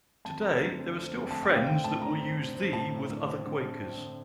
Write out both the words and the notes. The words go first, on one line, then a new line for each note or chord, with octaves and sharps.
Today there are still Friends that will use "thee" with other Quakers.
F2 A5
A3 A#5
D3
C4
C4
F2
A3 A5
G5
D3
F5
C4 G5
A2 A5
A2 A#5
C4
C4
C4
A2 A5
A2
D3
C4
D3
D3
C4
D3